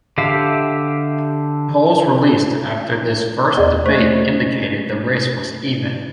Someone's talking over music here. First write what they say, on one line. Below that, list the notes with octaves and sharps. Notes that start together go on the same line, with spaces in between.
Polls released after this first debate indicated the race was even.
D3 G4 E5 F5
E2 D5 D#5
A3 C5